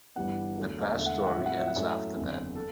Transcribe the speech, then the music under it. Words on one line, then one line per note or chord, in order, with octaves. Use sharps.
The past story ends after that.
G1 G2 E3 G3 B3 F#5
E2 D3 F#3 A3
E1 E2 D3 A3 E5
F#5
E5
F#5
A2 F#3 C4 E4 E5
F#5
E5
F#5
F#2 F#3 A3 E4 E5
F#1 E2 D3 F#3 C4
A4